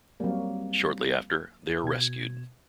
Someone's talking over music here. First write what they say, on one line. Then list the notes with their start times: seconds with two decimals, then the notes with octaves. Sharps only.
Shortly after, they are rescued.
0.20 F#3 G3 A#3 C4
1.84 B2 G#6